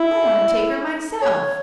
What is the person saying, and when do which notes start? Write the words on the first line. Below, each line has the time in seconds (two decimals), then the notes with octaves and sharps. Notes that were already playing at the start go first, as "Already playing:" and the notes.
"I want to take her myself."
Already playing: E4
1.22 C#5